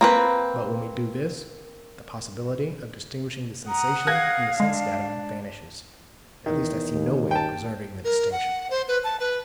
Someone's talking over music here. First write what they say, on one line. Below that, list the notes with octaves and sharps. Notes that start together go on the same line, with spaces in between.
But when we do this, the possibility of distinguishing the sensation from the sense-datum vanishes; at least I see no way of preserving the distinction.
A#3 C4 B4
F#5 A#5 D#6
F5 F#6 G#6 A#6
G#3 D4
E2 D#3
D#2
G5 A5
A#4
F#5
C5
B4
A5
B4